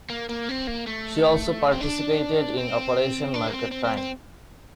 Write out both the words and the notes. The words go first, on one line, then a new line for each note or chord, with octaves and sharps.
She also participated in Operation Market Time.
A#3
A#3
C4
A#3
A3
C4
D4
C4
D4
A#3
C4
C4
C4
C4